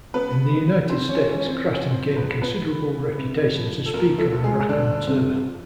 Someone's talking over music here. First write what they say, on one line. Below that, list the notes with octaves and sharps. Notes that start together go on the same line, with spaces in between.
In the United States Grattan gained considerable reputation as a speaker and raconteur.
C#3 B3 B4
C#3
E3 C4 C5
C#4 C#5
E3 C#4 C#5
C4 C5
F2 C#4 C#5
C4 C5
F3
B3 B4
F3 B3 B4
D3
C3
F3
A4
D2 A#3 A#4
A3 A4
D2
G#3 G#4
G2 D3 D4
G2 C3 C4
F3